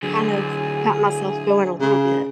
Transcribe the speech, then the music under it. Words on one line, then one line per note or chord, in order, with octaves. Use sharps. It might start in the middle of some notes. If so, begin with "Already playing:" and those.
kind of got myself going a little bit,
D3 F#3 G#4
C#3